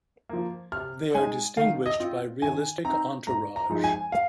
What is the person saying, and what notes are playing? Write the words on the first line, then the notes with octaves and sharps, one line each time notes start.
They are distinguished by realistic entourage.
F3 A#3
C3 F6
G#3 D#4 G#5
D#3 F5
D#5
C4 F4
D#3 G#5
C4 D#4 A#5
G#2 A#5
A#5
F3 G#3 D#4
G#5
F5